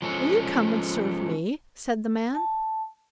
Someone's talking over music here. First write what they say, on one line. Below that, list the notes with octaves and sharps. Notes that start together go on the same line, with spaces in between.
'Will you come and serve me?' said the man.
F3 G#3 C#4 A4
A5